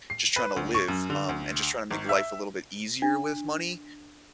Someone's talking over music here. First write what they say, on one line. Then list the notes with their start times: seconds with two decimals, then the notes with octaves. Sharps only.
just trying to live, um, and just trying to make life a little bit easier with money
0.10 C7
0.36 B4
0.56 D2
0.75 C#6
0.88 F#2
1.10 D3
1.29 D2
1.91 G#1
2.09 E5
3.02 D4